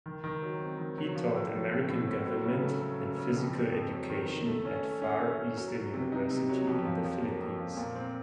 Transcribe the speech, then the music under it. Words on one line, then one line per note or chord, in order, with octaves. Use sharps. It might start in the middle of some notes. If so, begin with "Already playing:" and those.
He taught American government and physical education at Far Eastern University in the Philippines.
D#3
D#3
F#3
C4
D#3
F#3
F3
A2
F3
C4
A2
A2
F#3
C#3
A3
F#3
C#3
C#3
F2
C4
F2
F#3
D#3
D#3
A3
C#4
A3
C#4
C#4
C#4
F#3
F#3
C3
D#4
C3
F#3
F2
F3
F3
A#3
F2
F3
A#2
C4